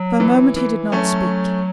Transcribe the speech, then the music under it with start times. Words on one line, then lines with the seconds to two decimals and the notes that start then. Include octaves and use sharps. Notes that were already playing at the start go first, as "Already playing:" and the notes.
For a moment he did not speak.
Already playing: F#3
0.20 E3
0.56 E3
0.92 F#3 A3 C#4